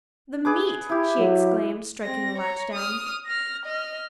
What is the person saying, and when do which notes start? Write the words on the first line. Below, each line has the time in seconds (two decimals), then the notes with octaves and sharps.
"The meat!" she exclaimed, striking the latch down.
0.45 G#4 B4 D6
0.89 E4 G4
1.19 F#3
2.03 C4 A#6
2.37 C#5 A#5
2.73 D#6 F6
3.26 F6 A#6
3.65 D#5 F6